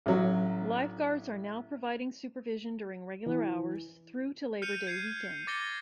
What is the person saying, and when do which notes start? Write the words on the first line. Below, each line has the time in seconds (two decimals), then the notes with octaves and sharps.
Lifeguards are now providing supervision during regular hours through to Labour Day weekend.
0.06 A1 F#3
3.26 E3
4.62 F6 G6 C#7 D#7 F7
4.87 G#6 C7 C#7 D#7
5.47 D6 A6 A#6 C#7 G7